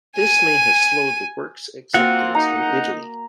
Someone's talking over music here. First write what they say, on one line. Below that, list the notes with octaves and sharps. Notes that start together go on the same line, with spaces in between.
This may have slowed the work's acceptance in Italy.
G#5 D#7
A#3 C4 F4 F#4 A#4 F#5
D#4 A#5